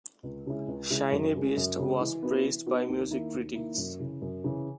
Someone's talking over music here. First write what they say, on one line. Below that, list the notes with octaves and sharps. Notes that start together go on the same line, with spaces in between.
"Shiny Beast" was praised by music critics.
C#2
C#3 G#3 C#4 E4
C#2
C#3 G#3 C#4 E4
F#2
C#3 G#3
F#2
C#3 G#3
E3
B3 D#4 F#4 B4
E3
B3 D#4 F#4 B4
D#2
D#3 A#3 E4
D#2
D#3 A#3 E4
F#2
C#3 E3
F#2
C#3 E3